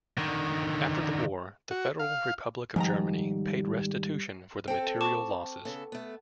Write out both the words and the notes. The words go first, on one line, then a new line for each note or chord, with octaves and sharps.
After the war, the Federal Republic of Germany paid restitution for the material losses.
D3 D#3
F#4
F5
G#2 D#3 F3 G3 A#5
C4 A4 G5
A5 C#6 D6
C#3 B3 A4
A3 B3